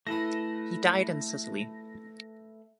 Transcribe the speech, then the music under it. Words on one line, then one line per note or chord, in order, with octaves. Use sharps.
He died in Sicily.
A3 E4 G#4 A4 B4 A#6